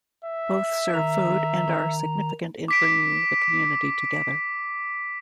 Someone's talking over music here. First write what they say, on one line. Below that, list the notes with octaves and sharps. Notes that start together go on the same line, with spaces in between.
Both serve food and are significant in bringing the community together.
E5
D#3 A#5
D6 B6 D7